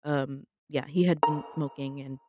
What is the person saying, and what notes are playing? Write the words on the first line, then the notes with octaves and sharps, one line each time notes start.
um, yeah, he had been smoking, and,
A#5